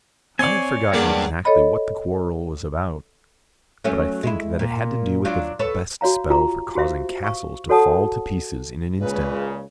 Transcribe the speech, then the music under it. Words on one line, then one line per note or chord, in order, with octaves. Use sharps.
I have forgotten exactly what the quarrel was about, but I think that it had to do with the best spell for causing castles to fall to pieces in an instant.
C4 C#5 D5 G#5 C6
G2 F#3 A#3 G#4 D5
A4 C#5 D#5 B5
F#3 A3 C#4
G#3 E4
A#2
F#3 D4 F4
A4 B4 C#5
F#4 C#5 F5 A#5
F4 G4 A#5
F#4 G4 C5 E5 F5
F5 C#6
F#4 A4 C#5 F#5 A5 D#6
C#2 A#2 C#3 G#3 B4